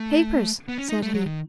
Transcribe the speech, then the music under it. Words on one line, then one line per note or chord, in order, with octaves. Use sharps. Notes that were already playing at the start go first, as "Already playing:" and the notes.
"Papers!" said he.
Already playing: A3
B3
C#4
D#4
A3
F#3
D#3